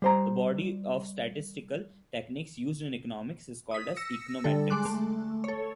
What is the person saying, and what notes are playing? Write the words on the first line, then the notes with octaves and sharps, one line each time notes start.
The body of statistical techniques used in economics is called econometrics.
G3 C5 A#5
D#6 B6
E6 A#6 C#7
D3 G3 A4
G#3 C6 D6 F#6
A3
A4 C#5